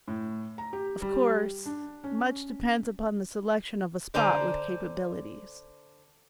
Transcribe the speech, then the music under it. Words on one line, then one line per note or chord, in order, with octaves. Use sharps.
Of course, much depends upon the selection of a spot with capabilities.
A2
A#5
G4
G3
D4
C#4
D3 C5 D5 G#5 A#5